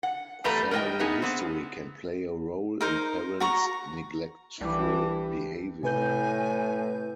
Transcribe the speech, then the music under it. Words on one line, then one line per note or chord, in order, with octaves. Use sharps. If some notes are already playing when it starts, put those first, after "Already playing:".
Family history can play a role in parents' neglectful behavior.
F#5
E2 G3 A3 B4 A#5
A#4 B4 D5 D#5 G5
A3 B3 D#4 G#4
B3 C4
D#4 A#4 C5
F#4 A#5 C#6
C2 E3 G3 D4 G4
A2 C3 B4 G#5 G6